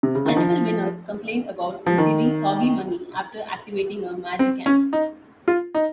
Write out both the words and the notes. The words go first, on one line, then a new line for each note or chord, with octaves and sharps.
Multiple winners complained about receiving soggy money after activating a MagiCan.
C3
C#3
D#3
F3
F3
D#3
C4
C#4
D#4
F4
D#4